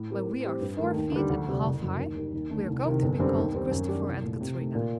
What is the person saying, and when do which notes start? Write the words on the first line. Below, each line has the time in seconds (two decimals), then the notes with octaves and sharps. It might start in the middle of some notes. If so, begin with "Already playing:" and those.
"When we are four feet and a half high, we are going to be called Christopher and Katrina."
Already playing: A2
0.09 A3 C4 G4 A#4
0.27 A2
0.44 G3 C4 G4
0.61 G2
0.78 D#3 A3 D#4
0.95 D#2
1.12 D3 G3
1.30 D2
1.48 C3 G3 D4
1.64 F#1
1.82 F#2 F#3
1.99 D#2
2.16 D#3 G3
2.33 D#2
2.50 D3 A3 D#4
2.68 C2
2.85 C3 D#3
3.02 G1
3.19 F#2 D3 G3 C4
3.37 D#2
3.53 D#3 G3 C4
3.71 F#2
3.89 D#3 G3 D4 G4
4.06 C2
4.23 A#2 A3
4.41 C3
4.58 D#3 A3
4.75 A#2